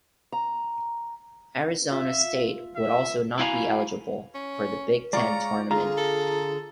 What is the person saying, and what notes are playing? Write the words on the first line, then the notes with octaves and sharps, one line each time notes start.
Arizona State would also not be eligible for the Big Ten Tournament.
A#5
F4 E5
E5
E4 F#4 F5 G#5 A#5 B5
C#4
G#3 F4 C#5 D5 A#5 C#6
D3 F4 G#4 A#5
A4